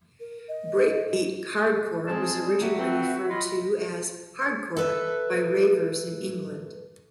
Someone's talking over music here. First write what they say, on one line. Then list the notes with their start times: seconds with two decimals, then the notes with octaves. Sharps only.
Breakbeat hardcore was originally referred to as "hardcore" by ravers in England.
0.20 A#4
0.48 D#5
2.07 F3 G#3 C4 G#4 A5
2.43 G3
2.61 F#3 F#4 G4 E5
2.78 C4 A4 B4
3.29 F4 D#5 B5
4.77 A4 B4 E5